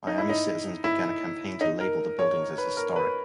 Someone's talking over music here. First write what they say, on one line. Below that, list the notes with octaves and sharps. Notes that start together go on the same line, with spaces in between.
Miami citizens began a campaign to label the buildings as "historic".
D#4
E4
D#4
E4
D#4
A#4
C#5
B4
A#4
B4